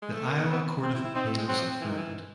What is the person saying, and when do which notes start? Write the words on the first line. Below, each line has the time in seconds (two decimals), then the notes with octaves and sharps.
The Iowa Court of Appeals affirmed.
0.02 G#3
0.13 A3
0.26 A#3
0.38 B3
0.50 B3 C4
0.82 C4
0.94 E4
1.05 E4
1.15 C4 D#4
1.26 A3
1.37 G#3
1.48 F#3 C4
1.58 F3
1.81 E3
1.89 D#3
1.98 E3